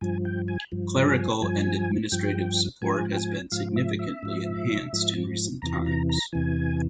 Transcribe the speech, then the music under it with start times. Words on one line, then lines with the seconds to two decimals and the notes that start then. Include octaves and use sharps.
Clerical and administrative support has been significantly enhanced in recent times.
0.01 G2 F3 G#5
0.25 G5
0.48 G#5
0.72 G2 F3
1.07 G#5
1.41 G2 F3 G#5
2.12 G2 F3 G5
2.82 G#2 F3 G#5
3.12 G5
3.17 G#5
3.52 G#2 F3 F5
3.76 E5
3.99 E5
4.23 G#2 F3
4.93 G#2 F3
5.62 E2 C3 E3 A#5
5.86 A#5
6.09 A#5
6.33 E2 C3 E3 G#5